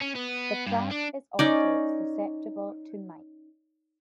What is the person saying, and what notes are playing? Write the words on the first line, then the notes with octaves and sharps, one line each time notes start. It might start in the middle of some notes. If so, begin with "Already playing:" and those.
The plant is also susceptible to mites.
C#4
B3
G2
D4
C#4 D#4 D5